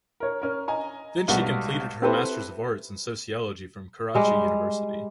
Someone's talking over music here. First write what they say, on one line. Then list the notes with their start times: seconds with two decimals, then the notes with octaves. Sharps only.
Then she completed her Masters of Arts in Sociology from Karachi University.
0.20 A#4 C#5
0.42 C#4 A#4
0.68 D#5 G#5 A#5
1.28 B1 G#2 B2 G3 F#5
2.02 C4 E4 G4 A4 B4 C5
4.15 G3 G#3 G4